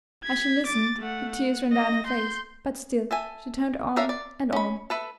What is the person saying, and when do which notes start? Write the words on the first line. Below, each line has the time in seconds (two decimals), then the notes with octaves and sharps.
As she listened, the tears ran down her face, but still she turned on and on.
0.24 G#6 B6
0.66 D6 A6
0.99 A3 F#5
1.32 F#5
1.73 D#5 A#6
2.06 C6 G6
3.11 A4 E5 G#5
3.96 C#4 D4 A#4 E5 F5
4.09 D5
4.53 C#4 B5
4.90 A4 B4 E5